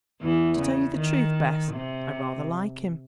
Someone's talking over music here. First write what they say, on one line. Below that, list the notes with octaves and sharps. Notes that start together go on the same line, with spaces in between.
To tell you the truth, Bess, I--rather like him.
E2 E3
C#3
D#3
C3